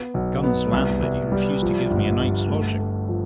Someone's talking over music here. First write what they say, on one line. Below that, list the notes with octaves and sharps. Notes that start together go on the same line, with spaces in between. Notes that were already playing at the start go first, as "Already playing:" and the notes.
Gun's landlady refused to give me a night's lodging.
Already playing: B3
B1
B3
C2
C2
G3
F3
G1
G1
A3
A3
F3